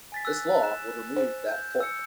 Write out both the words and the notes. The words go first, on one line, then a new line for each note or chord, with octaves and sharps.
This law would remove that hook.
G#5 A6 B6
E6 F#6
F#6 E7
C5
G6
E6 C#7